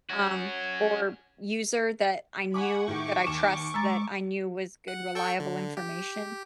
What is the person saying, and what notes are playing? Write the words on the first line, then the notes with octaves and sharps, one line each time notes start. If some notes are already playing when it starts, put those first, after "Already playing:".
um, or user that I knew that I trust, that I knew was good reliable information,
C#4 F#4
F#5 G#5 B5 C#6 D6
A2 D#3 G4 C#6 D6
D#2 E7
G#3 A#5 E6 A6
F#5
A4 G5 C#6
D3
G4